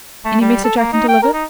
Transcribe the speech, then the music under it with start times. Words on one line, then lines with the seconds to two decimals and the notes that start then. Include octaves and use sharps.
"Any message I can deliver?"
0.25 A3
0.41 G3
0.64 A4
0.77 A#3
0.92 D#4
1.08 G5
1.22 A#4
1.33 D#4